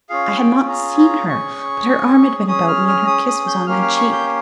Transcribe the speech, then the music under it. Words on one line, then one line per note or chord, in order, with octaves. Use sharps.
I had not seen her, but her arm had been about me and her kiss was on my cheek.
C#4 F4 G#4 F5
G5
A#5
A#5
C#4 G#4 C#6
C#4 G#4 D#6
F6
F6
D#6
D#6
G6
A#3 C#4 G4 F6
F6
C#6
G6